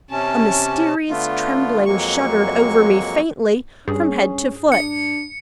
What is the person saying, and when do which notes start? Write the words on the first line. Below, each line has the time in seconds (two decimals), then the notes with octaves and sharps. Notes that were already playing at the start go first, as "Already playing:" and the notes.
A mysterious trembling shuddered over me faintly from head to foot.
0.11 C3 C#4 A5
1.10 D3 A3 B3 F4
1.86 F2 F#3 G#3 A#3 C#6
3.88 G2 C#4 G#4
4.72 D4 C#7